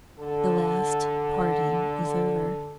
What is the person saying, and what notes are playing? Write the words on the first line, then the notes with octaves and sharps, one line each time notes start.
The last parting is over.
D3 A4